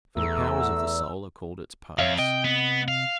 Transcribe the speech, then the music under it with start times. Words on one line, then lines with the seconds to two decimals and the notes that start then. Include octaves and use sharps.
For the powers of the soul are called its parts.
0.17 E2 A3 A#5 E6
1.99 F2 C#5 E5 F5
2.19 C3 D#5 G5
2.45 B3
2.88 F5